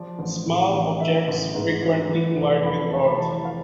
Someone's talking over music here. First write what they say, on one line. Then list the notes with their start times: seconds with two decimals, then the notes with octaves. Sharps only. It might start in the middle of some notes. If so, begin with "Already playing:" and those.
Small objects frequently collide with Earth.
Already playing: F3 D5
0.19 A1
0.46 A2
0.73 A1
1.00 E3 E5
1.28 A1
1.55 G#2
1.82 A1
2.09 E3
2.36 F1
2.62 F2 B5
2.77 B5
2.90 F1 A5
3.04 B5
3.17 E3 A5
3.45 F5